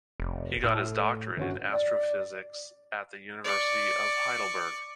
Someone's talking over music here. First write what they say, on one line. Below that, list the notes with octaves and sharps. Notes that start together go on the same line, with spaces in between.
He got his doctorate in Astrophysics at the University of Heidelberg.
F1
A2 E6 F6
G1 C#4 F#4
D5
D5 C#6